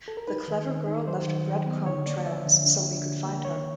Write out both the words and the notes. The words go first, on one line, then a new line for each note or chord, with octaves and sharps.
The clever girl left breadcrumb trails so we could find her.
A4
A#4
D#4 B4
D#3
D#3
D#4
F#3 C5
D#3
F#3
B3
D3 C#5
A#3 D5
F3 E5
D3
D4
D4
D3
A#3
D#3 C#5